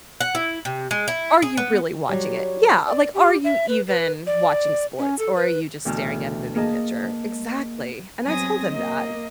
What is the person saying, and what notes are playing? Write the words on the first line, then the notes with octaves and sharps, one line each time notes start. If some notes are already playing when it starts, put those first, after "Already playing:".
Are you really watching it? Yeah, like, are you even watching sports, or are you just staring at a moving picture? Exactly, and I told them that,
F#5
E4
C3
G#3
E4
G#4
B3
F#3 G3 C#5
D5
G4
E5
B4
B4
D5
C#4
A4
B4
D2 B2 E3 G5 A5 F6
A#3 G#4 D#5 A5
F#3 B3 C4 G#5 D#6 A#6
A#3 D#5